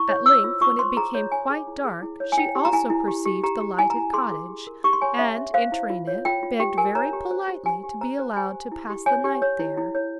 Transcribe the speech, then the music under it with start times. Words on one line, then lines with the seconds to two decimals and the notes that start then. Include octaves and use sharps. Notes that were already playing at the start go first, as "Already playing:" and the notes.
At length, when it became quite dark, she also perceived the lighted cottage, and entering it, begged very politely to be allowed to pass the night there.
Already playing: E4 C#6
0.09 C#5
0.26 C5 E6
0.44 F4
0.61 F4 C#6
0.79 C5 C6
0.97 G#4 A#5
1.15 C#5
1.32 C#5 G#5
1.50 G#4
1.67 E4
1.85 G#4
2.03 E4
2.20 C#5
2.32 G#5
2.37 E4 G5
2.55 G4
2.65 A#5
2.73 E4 G#5
2.90 E4
3.08 G4
3.25 G4
3.44 G4 A#5
3.61 G4
3.78 E4 G#5
3.90 A#5
3.96 E4
4.13 G#4 C6
4.31 G#4
4.49 G4
4.67 A#4
4.84 G4 C#6
4.93 C6
5.01 C#5 G#5
5.19 C#4 E5
5.37 C#4
5.54 C5 F5
5.72 E4
5.90 F4
6.07 C#5
6.25 F4 G5
6.43 F4
6.60 G4 G5
6.78 A#4 G#5
6.95 C#5 A#5
7.13 G4
7.31 C5
7.48 G4
7.66 G4 G#5
7.84 G4
8.01 C5 A#5
8.19 C5
8.37 G4 G#5
8.54 C5
8.72 E4
8.90 G4
9.06 C#5 G#5
9.24 G4
9.42 C#5
9.59 E4
9.78 E4
9.95 C#5